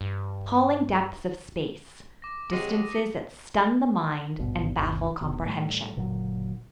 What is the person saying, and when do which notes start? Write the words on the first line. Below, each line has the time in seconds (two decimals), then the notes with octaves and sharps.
APPALLING DEPTHS OF SPACE. Distances that Stun the Mind and Baffle Comprehension.
0.01 G2
2.22 D6 A#6
2.51 C3 F#3 G#3 D#6 A#6 D#7
4.38 D#1 G#1 G2 B2
4.77 G1 D#2 C3
5.21 F1 B2
5.45 A2 G3 A3
5.96 F#1 A#2 D3 F#3